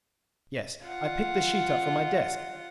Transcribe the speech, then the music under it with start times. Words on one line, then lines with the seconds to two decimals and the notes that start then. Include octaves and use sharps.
"Yes." I picked the sheet up from my desk.
0.87 F4 F#5